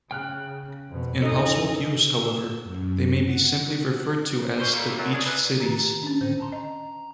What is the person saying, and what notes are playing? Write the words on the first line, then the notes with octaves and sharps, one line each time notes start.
In household use, however, they may be simply referred to as the beach cities.
C#3 G5 F6 F#6
F2 B2
E2 G#2 F3 C#4 D#4 A4 D#5
E6
F#2
F#5
F#6
C#4 C5
B2 G3 A3 A#3 C4
F#2
C3 D4 F4 G#4
A#2 G3 E4 B4
D#3 G4 A#5 A6
C#4 D4
A2 D3 C4 C5
A5 A#5 C6
D#5 A#5